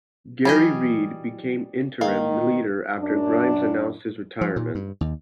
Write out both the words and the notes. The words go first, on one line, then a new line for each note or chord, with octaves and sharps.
Gerry Reid became interim leader after Grimes announced his retirement.
E3 F#3 G3 G#4 D#5
D#3 A#3 F5
F#2 D4
F3
A#2
G2
D#2